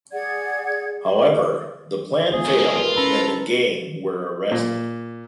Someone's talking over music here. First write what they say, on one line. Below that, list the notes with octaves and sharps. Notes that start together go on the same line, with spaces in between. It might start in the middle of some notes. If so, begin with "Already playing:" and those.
However, the plan failed, and the gang were arrested.
G#4 D5 F#5 G#6
G#3 B3 F4 G#4
F2 F#3
A#3 A4
F4 A#4 B4
C#4 E4 A4 B4 A#5 B5
A#2